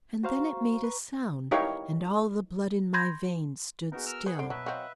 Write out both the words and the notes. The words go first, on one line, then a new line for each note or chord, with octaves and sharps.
And then it made a sound, and all the blood in my veins stood still.
F#4 C5 F5 A#5 C#6
B4
D#4 E4 G4 A#4 C#5 F5
B5 C6 G6 G#6 A#6
B3 D#4 F#4 G#4 A#4
A#4 E6 F6
G#4 B4 F#5
C2 D3 C6 D7
B2 F#3 B4 E5
F#3 C4 D#5 F5 F#5